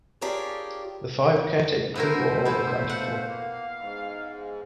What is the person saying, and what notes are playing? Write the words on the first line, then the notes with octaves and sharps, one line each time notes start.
The five caretaker crew were all accounted for.
D4 F4 G4 G#4 A#4 C#5
B2 A3 B3 E4 A#4 C5
B3 E4
F5 F#5
A#3
G#2